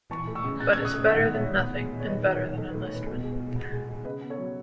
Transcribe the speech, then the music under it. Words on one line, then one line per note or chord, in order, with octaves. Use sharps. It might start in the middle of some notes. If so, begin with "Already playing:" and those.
But it's better than nothing, and better than enlistment.
E3 A5 C#6
A3
C#6 E6
C#3
C#3 F#6 A6
E6 G#6
C#3
D#6 F#6
A3
D#3 D#5 F#5
B3
C#5 E5
B3
B3
G#3
G#3
C#5
D#3 B4 D#5
D#3
B4
D#3
D#3 A4
B4
A3
A4 C#5
A3 B4
B2 A4
G#3
B4
G#3
B3
G#3
G#3
C#3 B4 D#5
B3
A4 C#5
F#3